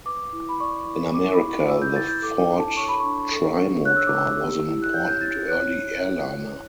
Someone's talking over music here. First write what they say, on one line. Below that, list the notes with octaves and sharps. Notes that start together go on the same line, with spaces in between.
In America, the Ford Trimotor was an important early airliner.
B4 D6
E4
B5
D5 C#6
E4
G4 D6
C#6
B5
E4 C#6
B4 E6
G6
E4 A6
G6
A4 D6
D4
A5
C#5 C#6
B5
D4 C#6
A4
D4
C#5 F#6
E6
D6
D4 E6
G4
E4
F#6
C#5 G6
G6
E4 A6
C#5 F#6